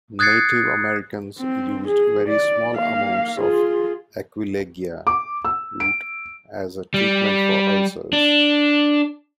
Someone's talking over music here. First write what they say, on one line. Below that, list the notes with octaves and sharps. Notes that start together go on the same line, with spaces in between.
Native Americans used very small amounts of "Aquilegia" root as a treatment for ulcers.
D#6 F#6 G#6 A6 C7 C#7
C4
G#4
D5
A#3 F5
F4 G#4
D6
E6
D7
G3
D4